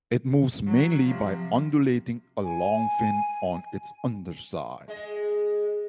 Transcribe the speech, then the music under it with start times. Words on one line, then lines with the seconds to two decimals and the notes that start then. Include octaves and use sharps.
It moves mainly by undulating a long fin on its underside.
0.66 F#3
1.04 C3 F3
2.43 G#5
4.88 G#3 D#5